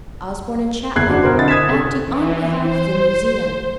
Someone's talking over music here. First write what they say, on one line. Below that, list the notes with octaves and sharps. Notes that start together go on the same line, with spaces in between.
Osborn and Chapman, acting on behalf of the Museum.
F#1 E2 F#6 G#6 C7
D4 F#4
B2 A#4 C5 C6
F2 D3 E4 D#5 A6
D#6 G#6 B6 E7
C2 A4
E3
C5